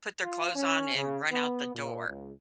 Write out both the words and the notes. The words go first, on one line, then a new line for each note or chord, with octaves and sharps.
put their clothes on, and run out the door,
F4
C#4
C#3
B3
A#2
C#2